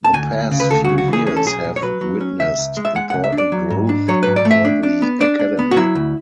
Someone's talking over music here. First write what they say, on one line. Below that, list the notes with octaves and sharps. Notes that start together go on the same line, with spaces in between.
The past few years have witnessed important growth for the Academy.
A5
D2 G#5
D2
C#3
B4
D2 A4
F#4
C#3
F#4
E3 G#4
C#4 G#4
A4
B1 G#4
B1
C#5
F#3 B4
F#3
C#4
C#2 E5
C#2
G#3
E5
G#3 F#5
C#2 F#5
E5
D4
D5
F#3
G#2
D4
F#3 C#5
G#2 B4
D5
A3
E5
D4
D4
B3
D4 D5
D4
B3
F#4
F#3 E4
D2